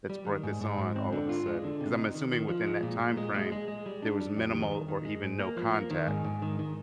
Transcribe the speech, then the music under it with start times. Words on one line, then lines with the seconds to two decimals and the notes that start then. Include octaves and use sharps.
that's brought this on all of a sudden?" 'Cause I'm assuming within that time frame, there was minimal or even no contact.
0.09 G3
0.27 D#3
0.43 G#2
0.61 G#2
0.78 G#2
0.96 C4
1.13 D3
1.29 F4
1.46 G#3
1.64 D3
1.81 C3
1.98 D#4
2.15 D#3
2.32 D#3
2.49 F3
2.66 G#3
2.83 A#2
3.00 A#2
3.17 G#3
3.34 G#3
3.52 G#3
3.68 G#3
3.86 G3
4.02 D4
4.20 G3
4.36 F2
4.54 D#3
4.71 D#3
4.88 D#3
5.05 G#3
5.22 G#2
5.39 A#3
5.57 F3
5.73 A#3
5.90 D#3
6.07 G#2
6.24 G#2
6.42 D#3
6.59 D#3